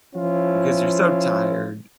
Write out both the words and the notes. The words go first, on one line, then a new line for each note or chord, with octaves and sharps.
because you're so tired.
F3 C#4 E4 F4